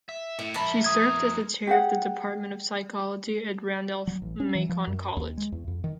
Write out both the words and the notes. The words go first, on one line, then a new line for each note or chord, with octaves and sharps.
She served as the Chair of the Department of Psychology at Randolph-Macon College.
E5
A2 E5
F2 A#4 E5 A5 B5
D#6 G#6
G4 G#4 F#5
F#3
A1
C#4
E3
F3
F#2
D#2
G#3
E2
F2
D#3